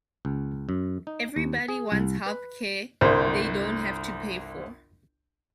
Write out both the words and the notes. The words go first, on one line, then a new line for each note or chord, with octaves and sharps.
Everybody wants health care they don't have to pay for.
C#2
F#2
D#4
D#2
G#4
C2
B4
G1 C2 C5